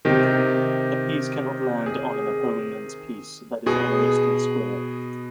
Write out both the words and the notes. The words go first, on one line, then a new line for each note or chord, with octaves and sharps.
A piece cannot land on an opponent's piece that is on a resting square.
C3 D#3 G4
G#4
B2 G#4